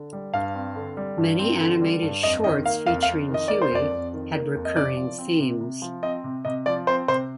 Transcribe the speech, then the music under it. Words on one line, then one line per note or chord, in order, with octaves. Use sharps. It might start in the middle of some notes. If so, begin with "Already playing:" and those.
Many animated shorts featuring Huey had recurring themes.
Already playing: D3
G3
G2 F5
C4
D3
G3
G2
C4
D3
G3
G2
F2 D#5
D#3 D#5
A#3 F5
F2 F5
F5
F2
D#3
D#5
A#3 D5
C5
F2 D5
F2
D#3
A#3
F2
D#5
C3 D5
F3
C4
C3
C3
F3
C4 D#5
C3
C3 D#5
F3 D5
C4 C5
C3 C5